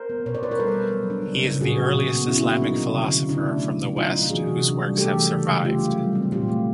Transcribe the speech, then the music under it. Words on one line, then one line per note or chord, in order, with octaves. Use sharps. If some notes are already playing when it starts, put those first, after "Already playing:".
He is the earliest Islamic philosopher from the West whose works have survived.
Already playing: A#4 C5
B3
B2 B4 C#5
C5 D5
B2 B4 C#5
A#4 C5
G3 A4 B4
G3
F#3
D4
C#3
C#3
A#2 F#4 G#4
F3
B2
B3
C#4 E4 F#4
A#3
F#3 D#4
C3
D3
C#4
C#3 D4 E4
A3
F#3
B2
F#3 D#4 F4
D4
E3 F#4 G#4
C3
D4
G3
A3 G4 A4
E3
C#3
G#3
A3 F4 G4
F#3
G3
C4
A#2 F4 G4
A3